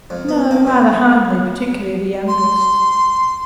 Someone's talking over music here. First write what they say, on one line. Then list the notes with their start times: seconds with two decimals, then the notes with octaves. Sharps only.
'No, rather homely, particularly the youngest.'
0.10 F2
0.29 B3
0.51 A#3
0.67 B2
2.28 C6